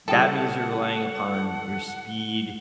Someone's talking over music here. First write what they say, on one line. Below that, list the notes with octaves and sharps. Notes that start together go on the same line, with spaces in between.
that means you're relying upon your speed,
C#3 E3 G3 G#4 A4 F#5 G5 A5